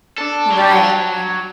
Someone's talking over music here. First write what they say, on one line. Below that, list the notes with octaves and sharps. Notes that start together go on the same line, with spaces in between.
Right, right.
D4 A4
F#3